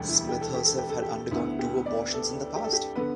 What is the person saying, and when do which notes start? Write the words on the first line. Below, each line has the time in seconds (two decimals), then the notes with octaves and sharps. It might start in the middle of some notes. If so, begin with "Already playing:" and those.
Smith herself had undergone two abortions in the past.
Already playing: E1 D2 D3 G3 G4
0.09 E4
0.29 G4
0.41 A4
0.54 G4
0.65 A4
0.78 G4
0.89 A4
1.02 G4
1.31 D2 D3 B3 E4
1.59 G4
1.86 D5
2.14 A4
2.56 G4
2.64 A4
2.73 G4
2.95 D3 B3 B4